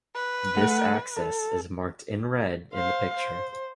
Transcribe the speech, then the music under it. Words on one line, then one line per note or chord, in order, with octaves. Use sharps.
This axis is marked in "red" in the picture.
B4
A3 F#5
A4
C5 F5
C5